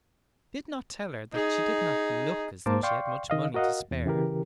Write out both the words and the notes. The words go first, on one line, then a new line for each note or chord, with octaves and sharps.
But he did not tell her that she did not look as though she had much money to spare.
D#4 G#4
G#2 A#3 A#4 C5 A5 D6
D5 F5 G5 C6 C#6
D#3 D#5 F5
F#4 A#4 D#5 F5 F#5
E2
C#3 E3 G4 A#4